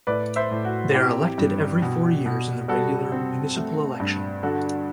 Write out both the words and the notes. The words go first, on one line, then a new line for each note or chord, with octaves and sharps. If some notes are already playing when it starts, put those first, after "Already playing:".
They are elected every four years, in the regular municipal election.
A2 B4 D5
C5 E5
A2
F#4
C4 E4 G4
G2
B2
B2
G3 F#4 A4
C4
A3
G2
D3 F#4 A4